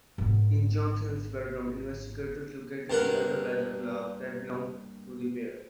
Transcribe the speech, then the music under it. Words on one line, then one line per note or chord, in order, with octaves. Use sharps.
In Johnson's bedroom investigators located the other leather glove that belonged to the pair.
G#1 B3
G2 A#3 A#4 F#5